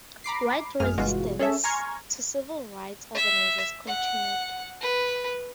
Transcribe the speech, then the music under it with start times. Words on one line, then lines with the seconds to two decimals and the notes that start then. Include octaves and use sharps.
White resistance to civil rights organizers continued.
0.24 A#5 B5 D6 C7
0.80 A1 F#2 G#4 F6
0.98 G1 B2 E3 G#3 F4 F#4
1.39 C#4 G#4 A4 C#5 E5
1.64 G#5 A#5 C6 C#6 F6 G#6
3.15 E5
3.87 F#5
4.81 B4